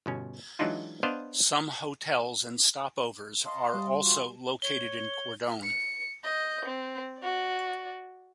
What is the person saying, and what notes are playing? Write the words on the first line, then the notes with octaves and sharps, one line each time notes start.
Some hotels and "stop overs" are also located in Cordon.
G1 B2 C#4
E3 F#3 G#3 D4 D#4 F4
B3 D4 C5 D5 D#5 F5
D#5 F5 A5 C6
G3
E3 F4 F#4
C#5 G7
C#7
D#5 G6
C4
F#4 D5